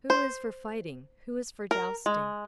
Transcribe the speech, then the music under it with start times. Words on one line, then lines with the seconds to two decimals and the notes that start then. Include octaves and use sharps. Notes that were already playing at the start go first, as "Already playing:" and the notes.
Who is for fighting, who is for jousting?
0.10 C5
1.71 A#4
2.06 G#3